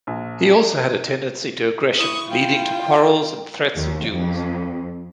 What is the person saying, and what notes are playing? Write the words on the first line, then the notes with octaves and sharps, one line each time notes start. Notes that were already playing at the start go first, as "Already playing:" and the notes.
He also had a tendency to aggression leading to quarrels and threats of duels.
A#1
E4 C#6 D#6
F4 G5
D#2
F2